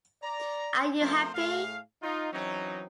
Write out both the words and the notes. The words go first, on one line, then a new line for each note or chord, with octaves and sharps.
Are You Happy?
D5 A#5
F3 A3 B3 C4 A#4 C5
A2 A3 G#4 F5
D#4 F4
E3 F#3 C4 C#4 D#4